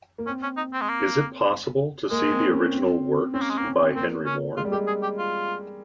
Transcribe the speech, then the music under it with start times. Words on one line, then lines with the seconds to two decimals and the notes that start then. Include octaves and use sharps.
Is it possible to see the original works by Henry Moore?
0.18 A#3
0.27 C4 C#4
0.43 C#4
0.57 D#4
0.73 C4
0.81 G#3
0.88 A#3
2.11 G#3 A#3
2.31 C4
2.52 C#4
2.72 C4
3.34 C4 C#4
3.41 A#3
3.49 G#3
3.57 A#3 C4
3.65 C#4
3.80 C4
3.95 A#3 C4
4.26 C#4
4.57 G#3 F4
4.65 G3
4.72 G#3 G4
4.87 G#4
5.03 G4
5.18 F4